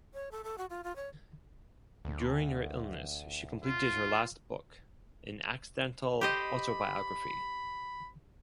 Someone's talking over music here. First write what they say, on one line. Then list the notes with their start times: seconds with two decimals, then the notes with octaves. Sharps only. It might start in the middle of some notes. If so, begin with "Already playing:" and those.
During her illness she completed her last book, "An Accidental Autobiography".
0.14 C#5
0.31 A4
0.44 A4
0.58 F#4
0.70 F4
0.84 F4
0.96 C#5
2.05 D2
3.64 F4
6.21 G4 C5 D#5 B5